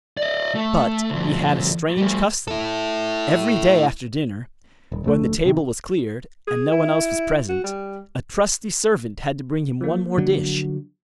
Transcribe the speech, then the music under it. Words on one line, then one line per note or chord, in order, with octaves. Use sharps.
But he had a strange custom; every day after dinner, when the table was cleared, and no one else was present, a trusty servant had to bring him one more dish.
D5 D#5
A3
D2 F3
G3 A3
E4 A4
D#1
F1 D2 A3
C3 D#3
G#4
E4
F#4
G3
F3 A#3
D3 F#3